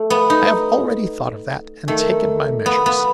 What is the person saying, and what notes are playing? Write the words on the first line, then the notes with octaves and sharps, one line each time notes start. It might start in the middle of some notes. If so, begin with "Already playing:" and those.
I have already thought of that, and taken my measures.
Already playing: A3
B3
D#4
D#3 A3
B3
B3